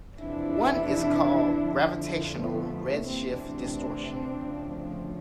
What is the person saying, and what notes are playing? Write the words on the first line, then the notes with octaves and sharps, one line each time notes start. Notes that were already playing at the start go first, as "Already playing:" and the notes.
One is called gravitational redshift distortion.
F2 C3 E3 D4 E4
F2 D3 F3
A3 B3
D2 C3 E3 A#3 C4
C4 D4
D2 C#3 F3